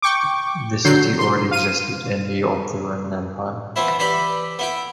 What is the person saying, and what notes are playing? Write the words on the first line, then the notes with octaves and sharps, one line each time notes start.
The city already existed in the of the Roman Empire.
G5 C#6 D6
D3 F#3 G6 C7
C6
F5 D#7
E3 B3 C4 E4
E3 E4 G4 D5 B5
B3 E4 G5